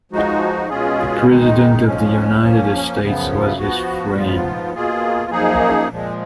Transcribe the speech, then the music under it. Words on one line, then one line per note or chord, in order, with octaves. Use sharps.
The President of the United States was his friend.
F3 G#3 D#4 F#4
B2 G#3 C#4 F4 G#4
D#3 G#3 D#4
F2 F3 G#3 C#4
F3 A#3 C#4
F#2 C#3 F3 B3
F3 B3 F#4
G#2 F3 B3 F4
B2 A#3 F4 G#4
F#2 F3 A#3 D#4 G#4
A#2 F3 G#3